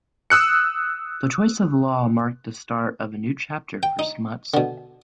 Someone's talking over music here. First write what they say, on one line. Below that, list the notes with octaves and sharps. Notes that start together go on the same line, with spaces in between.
The choice of Law marked the start of a new chapter for Smuts.
D#6 E6 F#6 C#7
G5
D#4
B2 D3